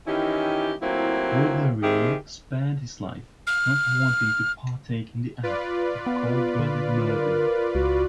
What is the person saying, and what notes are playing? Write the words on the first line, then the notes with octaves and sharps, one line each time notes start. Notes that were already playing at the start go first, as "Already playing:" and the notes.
Wolverine spared his life, not wanting to partake in the act of cold-blooded murder.
D#3 E3 C#4 D#4 E4 G4
A2 F#3 A#3 C4 E4 F4
D#3 C4 E4 G4 G#4
F6
F4 B4 D5
B3
D3
A#4
C#2 F#4